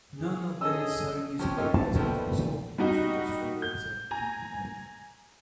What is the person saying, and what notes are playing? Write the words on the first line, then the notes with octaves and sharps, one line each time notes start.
None of the necessary music replacements resulted in footage from the episodes being removed.
G#4
C#4 G#4 A4 D#5 E6
F3 C#4 G4
A#3 C#4 D#4 F4 G4 A4
A5
B2 D#3 F3 G3 A3 B3
G3 D#4 F#4
G6
G#5 A#5